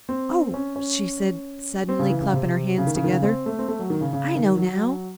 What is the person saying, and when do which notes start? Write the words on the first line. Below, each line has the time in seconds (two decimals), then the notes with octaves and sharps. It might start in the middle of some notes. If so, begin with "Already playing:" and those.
"Oh!" she said suddenly, clapping her hands together; "I know now."
0.09 C4
0.54 C#4
0.76 C#4
1.89 C4
1.99 C#3
2.10 E3
2.22 C#3
2.33 C3
2.78 C#3
2.87 D#3
2.96 C#3
3.04 D#3
3.12 C#3
3.23 C4
3.46 A3
3.59 C4
3.68 A3
3.79 F#3
3.90 D#3
4.01 C#3
4.13 C#3
4.35 D#3
4.57 F#3